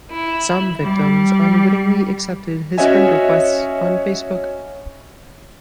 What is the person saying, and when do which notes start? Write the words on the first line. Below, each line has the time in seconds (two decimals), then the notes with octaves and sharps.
Some victims unwittingly accepted his friend requests on Facebook.
0.11 E4
0.81 G3
2.78 C#4 F#4 C#5 D#5 E5 G#5